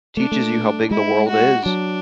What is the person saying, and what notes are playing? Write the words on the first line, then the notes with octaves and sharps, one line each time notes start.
teaches you how big the world is,
A3 D4
A3
G#3 E4
F#4
F#3 D4